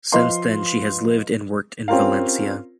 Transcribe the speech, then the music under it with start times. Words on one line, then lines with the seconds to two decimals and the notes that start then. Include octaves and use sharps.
Since then she has lived and worked in Valencia.
0.12 F3 B4 D#5 F5 C6
1.88 C4 C#4 F4 G4 A#4 F5